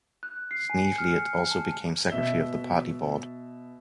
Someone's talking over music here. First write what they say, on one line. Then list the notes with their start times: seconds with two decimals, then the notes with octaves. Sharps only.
Sneevliet also became secretary of the party-board.
0.23 F#6
0.51 C7
0.70 G#5
0.85 C#7
0.98 F6
1.51 A5
2.10 B2 E5 G7